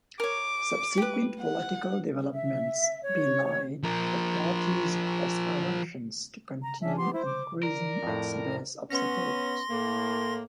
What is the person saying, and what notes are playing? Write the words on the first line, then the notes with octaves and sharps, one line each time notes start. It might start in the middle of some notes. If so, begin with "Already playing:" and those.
Subsequent political developments belied the party's aspirations to continue increasing its base of support.
A#4 C#5 D6
G4 B4
F#5
E5
C#5
F3 A#4
A#5
C#3 C#4 D4 E5
B3 G4 C6
E4 C5
D6
A#4 D5
F2 A2
B3 C#4 C6 A#6
A2 A#3